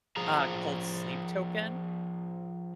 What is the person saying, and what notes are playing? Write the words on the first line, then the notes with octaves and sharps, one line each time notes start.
uh, called Sleep Token.
F3 G#4 A#5